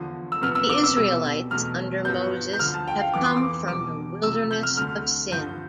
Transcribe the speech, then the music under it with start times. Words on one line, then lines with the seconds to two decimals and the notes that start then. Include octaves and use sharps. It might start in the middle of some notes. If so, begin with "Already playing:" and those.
The Israelites under Moses have come from the wilderness of Sin.
Already playing: E2 D3 F3
0.32 E6
0.42 D2 C3 F3 B3 F6
0.55 E6
0.69 D6
0.84 E6
0.96 B2 G3 B3 E6
1.51 E2 B2 A3 F6
2.05 G2 F3 B3 G6
2.53 G6
2.59 D2 D3 F3 F6
2.74 A5
2.88 G5
3.00 F5
3.14 F2 E3 B3 D6
3.25 C6
3.37 D6
3.68 E2 B2 G3 D6
4.23 C2 C3 F3 A3 E6
4.51 G6
4.63 F6
4.77 D2 D3 A3 F6
5.31 G2 D3 F3 G6